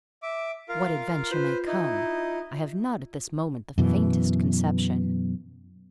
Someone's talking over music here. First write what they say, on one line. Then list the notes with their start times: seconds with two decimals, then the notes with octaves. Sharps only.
What adventure may come, I have not at this moment the faintest conception.
0.23 E5 D6
0.69 F4 A#4 F5
1.31 F4 B4 C5
1.67 D#4 E4 D#5
3.78 F#2 B2 E3